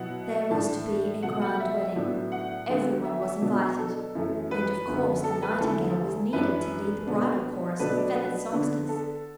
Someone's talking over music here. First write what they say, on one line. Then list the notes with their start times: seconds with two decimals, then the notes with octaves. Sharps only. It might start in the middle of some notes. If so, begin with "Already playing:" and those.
There was to be a grand wedding; every one was invited, and of course the Nightingale was needed to lead the bridal chorus of feathered songsters.
Already playing: B2 F#3 B3 E4 F#5
0.51 A2 E3 D4 A5
1.23 B2 F#3 A3 F#5
1.42 F#5
1.60 E5
1.96 A2 F#3 B3 D4
2.32 F#5
2.69 D2 D3 F#3 B3
3.05 E5
3.41 B2 F#3 B3 D4
3.78 A4
4.15 F#2 E3 A3
4.51 B4
4.87 F#2 D3 B3
5.24 A4
5.42 B4
5.60 E2 D3 A3 E4 A4
6.33 F#2 E3 D4 B4
7.07 B2 B3 D4
7.79 B2 F#3 A3 D4 B4
7.97 D5
8.15 B4
8.52 D3 B3 D4
8.89 A4